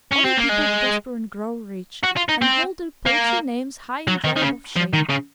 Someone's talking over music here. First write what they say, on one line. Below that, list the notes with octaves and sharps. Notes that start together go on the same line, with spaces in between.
Other people prosper and grow rich, and hold their paltry names high and dry above shame.'
C#4
C4
A#3
G#3
F#4
F4
D#4
C4
A#3
F#3
D#3
D#3
C#3
F3
D#3
C#3